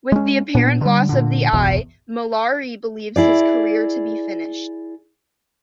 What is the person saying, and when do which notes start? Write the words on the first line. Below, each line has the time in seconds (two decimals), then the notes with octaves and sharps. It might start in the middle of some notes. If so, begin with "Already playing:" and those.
With the apparent loss of the Eye, Mollari believes his career to be finished.
0.12 G#3 C#4
0.55 A#2 B3 D4
0.81 D3 G3
1.09 A#2 D3
1.53 F#1 B1 E2 B2
3.16 E4 G#4 D5